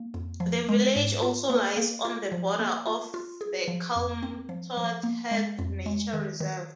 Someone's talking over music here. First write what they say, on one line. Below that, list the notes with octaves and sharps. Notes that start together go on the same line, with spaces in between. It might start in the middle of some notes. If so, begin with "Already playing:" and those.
The village also lies on the border of the Kalmthout Heath nature reserve.
Already playing: A#3
F2
F3
G#3
G#2
F4
A#3
A#3
F4
F3
A#3
F4
F4
G#4
F3
F2
C4
F3
F3
A#3
G#3
F2
G#3
D#3
D#3